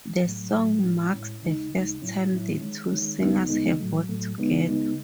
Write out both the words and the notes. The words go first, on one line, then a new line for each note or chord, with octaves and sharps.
The song marks the first time the two singers have worked together.
A2 F#3 A3
A2 F#3 A3
A2 G#3 C#4 E4
A2 G#3 C#4 E4
D#2 C#3 G#3 D#4
D#2 C#3 G#3 D#4
A2 F#3 C#4 E4
A2 F#3 C#4 E4
D#3 G#3 C#4
D#3 G#3 C#4
D#2 C#3 G#3 B3 D#4
D#2 C#3 G#3 B3 D#4
A2 F#3 A3
A2 F#3 A3
C#2 C#3 G#3 B3 D#4
C#2 C#3 G#3 B3 D#4